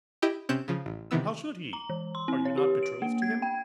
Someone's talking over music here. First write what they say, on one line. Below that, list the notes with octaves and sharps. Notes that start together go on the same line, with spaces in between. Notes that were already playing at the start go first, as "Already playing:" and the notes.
How should he? Are you not betrothed to him?
E4 G4 D#5 G5
C3 C4 C#4 F#6 G6 E7
C#3 F3
A1
C3 D#3 E3 B3 E6
A#5
E3
C6
C4
C#5
G4
D7
A#3
G#6
G5